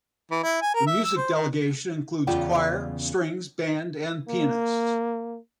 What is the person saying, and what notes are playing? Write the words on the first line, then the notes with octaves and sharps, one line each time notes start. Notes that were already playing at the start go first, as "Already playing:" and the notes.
The music delegation includes choir, strings, band and pianists.
E3
E4
G#5
A#4
E5
E6
C5
D#3
E2 C#3 F4 D5 F#5 G5
A#3